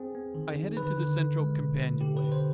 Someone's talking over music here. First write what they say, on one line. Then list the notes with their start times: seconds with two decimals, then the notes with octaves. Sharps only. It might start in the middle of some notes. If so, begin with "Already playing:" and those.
I headed to the central companionway.
Already playing: C4 G#4
0.15 B3
0.35 D#3
0.56 D#3
0.77 D3 B4
0.97 D3
1.18 D3
1.39 G#3
1.59 B2
1.80 B2
2.00 D3 G4
2.17 D3 B4
2.32 C5